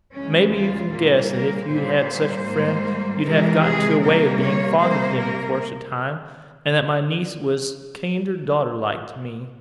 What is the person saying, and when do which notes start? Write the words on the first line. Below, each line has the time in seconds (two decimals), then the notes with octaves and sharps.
Maybe you can guess that if you'd had such a friend, you'd have got into a way of being fond of him in course of time, and that my niece was kiender daughter-like to me.'
0.13 E2 C#3 E3 G#3 C#4
0.53 F4
0.91 A#2 G3 A#3
1.30 A#4
1.69 A#2 G3 A#3 C5
2.46 G#2 G3 A#3
3.23 C3 E3 G#3 A#4
3.63 G#4
4.01 C3 G3 A#3 A#4
4.40 C#5
4.79 C3 G3 A#3 C5
5.18 A#4